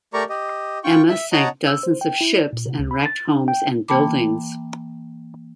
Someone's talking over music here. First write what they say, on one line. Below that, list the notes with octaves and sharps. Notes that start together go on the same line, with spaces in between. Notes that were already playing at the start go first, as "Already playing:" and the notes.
Emma sank dozens of ships and wrecked homes and buildings.
A3 G4 A#4 D5 A#5 C#6
G4 D#5
F4 G5 C#6
E5
C#5 D#5 F#5 A5 A#5
E6
C5
G5
E4
D5
A#2
C3
C#2
B5
A6
D4
G5
E3 A#3 G5 A5 B5 D6